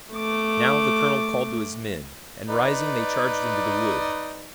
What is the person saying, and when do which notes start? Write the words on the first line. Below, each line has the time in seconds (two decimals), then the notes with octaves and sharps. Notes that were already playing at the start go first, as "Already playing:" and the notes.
Now, the colonel called to his men, and rising they charged into the wood.
0.13 A3 D6
2.48 D#4 B4 D5